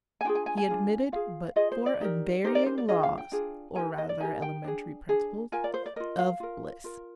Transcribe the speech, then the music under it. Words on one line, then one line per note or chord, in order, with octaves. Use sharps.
He admitted but four unvarying laws, or rather elementary principles, of Bliss.
G#5
D4 F4 G#4 G5
G#5
G#5
G#5
D4 F4 G#4
F4 G#4 F5
F4 G#4 D#5
C5
D5
D#4 G4 A#4
D#4 G4 A#4 C5
D5
C5
D5
D4 F4 G#4 D#5
F5
G5
D4 F4 G#4
D#4 G4 A#4 G#5
D#5
D5
D#4 G4 A#4 G#5
G5
D4 G#4
D4 G#4
F4 A#4 G#5
D5
C5
D5
F4 A#4 D#5
F5
F4 A#4
F4 A#4